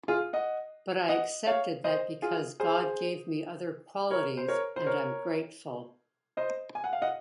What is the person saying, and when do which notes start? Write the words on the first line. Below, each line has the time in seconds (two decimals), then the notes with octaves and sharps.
But I accepted that because God gave me other qualities and I'm grateful.
0.08 F4 G#4
0.33 D#5 F#5
1.09 D#5 F#5
1.46 C#5 F5
1.84 C5 D#5
2.22 F4 G#4
2.60 G#4 C5
4.10 A#4 C#5
4.37 C5
4.48 A#4 C#5
4.76 C5
4.86 A#4 C#5
6.37 C5 D#5
6.75 G#5
6.84 F#5
6.93 F5
7.02 D#5 F#5